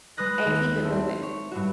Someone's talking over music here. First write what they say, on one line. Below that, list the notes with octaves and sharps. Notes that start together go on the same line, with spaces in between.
and keep it moving."
G#3 B4 D#6 F#6 A#6
D#2
A3 C4 E4
C#5
G2 E4 F#4